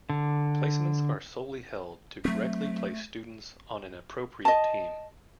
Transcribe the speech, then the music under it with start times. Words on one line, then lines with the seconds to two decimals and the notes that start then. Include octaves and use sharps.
Placements are solely held to correctly place students on an appropriate team.
0.10 D3
2.25 F#3 A3 C4
4.45 D#5 A5